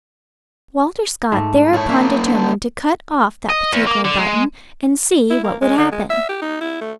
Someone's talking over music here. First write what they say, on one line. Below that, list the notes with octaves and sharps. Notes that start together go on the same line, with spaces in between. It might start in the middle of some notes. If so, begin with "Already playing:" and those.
Walter Scott thereupon determined to cut off that particular button, and see what would happen.
G#2 A3
A#2 A3 E4 C#5
A#3 C#4 D4 E5
D3 A3
D#5
E2
A#3
D3
G#3
E4
A#3
G#3
D3
G#3
E5
G4
D#4
E4
A3